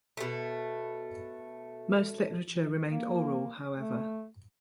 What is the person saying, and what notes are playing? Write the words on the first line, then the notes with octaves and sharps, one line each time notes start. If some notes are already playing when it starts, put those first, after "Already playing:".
Most literature remained oral, however.
B2 A3
A#3
A3